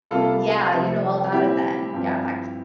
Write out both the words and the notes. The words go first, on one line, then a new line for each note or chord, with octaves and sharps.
yeah, you know all about it then. Yeah, back
C2 C3 G3 A#3 F4 A4
F2 C3 F3 C4
A#2 G3 C4 E4 G4
G2 F3 C4